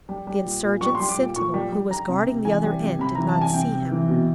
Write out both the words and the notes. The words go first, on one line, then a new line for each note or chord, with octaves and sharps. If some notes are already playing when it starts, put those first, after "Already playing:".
The insurgents' sentinel, who was guarding the other end, did not see him.
G3
G3
A#2
A#2
G3 C#6
C6
G3
D6
A#2
A#2 C#6
G3
G3
G3 A#5
C3
C3
E3 G#5
G3
C3
C3 B5
E3 A#5
A5
G3
G#5
C3 G5
C3
E3
B2